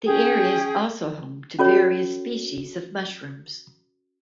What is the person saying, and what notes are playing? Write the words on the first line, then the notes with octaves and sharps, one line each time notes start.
The area is also home to various species of mushrooms.
C#4 G#4 G5
C#4 F#4 A4 C#5